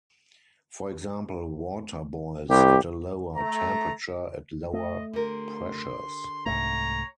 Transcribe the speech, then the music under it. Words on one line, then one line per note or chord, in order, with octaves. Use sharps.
For example, water boils at a lower temperature at lower pressures.
C2 G4
A3 A#5
A3 D#5
D3 G4 A#4 C6
C2 G#2 A3 C#5 A#5